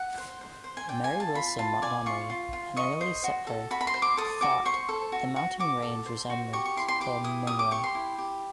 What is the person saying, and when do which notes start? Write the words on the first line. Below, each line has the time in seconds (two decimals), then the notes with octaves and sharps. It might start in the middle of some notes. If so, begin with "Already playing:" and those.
Mary Wilson Montgomery an early settler thought the mountain range resembled the Munro.
Already playing: F#5
0.18 C5
0.41 C5
0.64 C5
0.77 G#5
0.88 D5 G5
1.04 G#5
1.12 F4
1.20 A5
1.35 F4 B5
1.58 F4 A5
1.82 D5 G#5
2.06 F4 C#6
2.30 F4
2.53 F4
2.77 D#5 C#6
3.01 C5
3.24 F#4
3.47 A4
3.71 F#4 B5
3.81 B5
3.87 C6
3.94 C5
4.02 D6
4.17 A4 D#6
4.41 F#4 D6
4.65 C5 C#6
4.89 A4
5.12 F#4
5.36 F#4
5.59 F#4 D6
5.82 A4
6.06 C5
6.30 F#4
6.53 G4 C#6
6.65 C#6
6.77 E4 C6
6.88 C6
7.00 G4 D6
7.24 E4 D#6
7.47 G4 D#6
7.59 D6
7.71 G4 C#6
7.84 C6
7.95 E4
8.18 G4